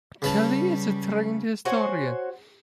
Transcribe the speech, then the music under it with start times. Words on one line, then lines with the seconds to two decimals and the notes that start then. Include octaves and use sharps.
Kelly is a trained historian.
0.22 C#3 G3 B4 A5
1.65 F#4 C5 C#5 G#5